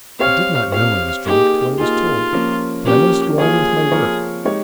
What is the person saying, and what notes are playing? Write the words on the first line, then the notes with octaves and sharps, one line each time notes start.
I did not know I was drunk till I was told, but I must go on with my work.
C4 G4 C#5 F5
C4 G4 C#5 F5
A#3 D#4 G4 G#4
A#3 D#4 F4 G#4
F3 A#3 C#4
F3 A#3 C#4 G4
F3 A#3 F4 G#4 A#4 C#5
F3 A#3 F4 A#4 C#5
G#3 D#4 G4 C#5